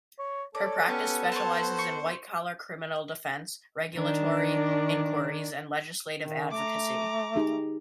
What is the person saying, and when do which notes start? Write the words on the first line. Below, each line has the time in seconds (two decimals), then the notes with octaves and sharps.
Her practice specializes in white-collar criminal defense, regulatory inquiries, and legislative advocacy.
0.19 C#5
0.55 A4 C#5 D5
0.88 B3 C#4 G4
1.32 C5 C#5 A5
1.79 C#6
3.95 D#3 D4
6.20 D#3
6.51 A3 A#5 D6
7.36 D#4 G4 G#4